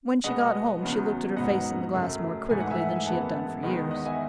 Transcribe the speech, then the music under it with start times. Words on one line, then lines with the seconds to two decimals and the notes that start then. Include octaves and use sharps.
When she got home she looked at her face in the glass more critically than she had done for years.
0.24 B2 G#3 B3 D#5 F#5
0.81 E2 C#3 F#3 B3
1.37 G#2 F#3 B3 D#5 F#5
1.93 F#2 C#3 F#3 A3
2.50 G#2 E3 A3 G#5
2.60 F#5
2.70 E5 G#5
2.96 G#5
3.06 F#2 E3 G#3 B3 F#5 A5
3.21 F#5 A5
3.63 E2 D#3 G#3 B3 D#5 F#5
3.91 D#5 F#5
4.06 E5 G#5